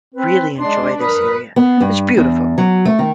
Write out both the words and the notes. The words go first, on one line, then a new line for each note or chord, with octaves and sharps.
really enjoy this area. It's beautiful.
C4 B4
G#3 D4 C6
A#4 B4 D#6
B3
G2
E2
F#3
A3
D#3